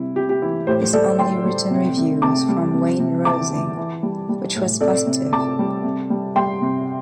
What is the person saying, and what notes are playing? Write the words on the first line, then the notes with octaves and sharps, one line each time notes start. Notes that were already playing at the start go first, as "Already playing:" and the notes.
His only written review was from Wayne Rosing, which was positive.
Already playing: C3 G3 E4
C3 G4
G4
E3 E4
A2 G4 C5
G3 A4 D5
A2 G5 C6
G3
C3
C3
C3 A5 D6
G3
C3
C3
E3 A5 D6
E3
E3
G3
G3
A2
C3 A4 D5
C3
C3 A5 D6
G3
C3
G3
G3 G5 C6
C3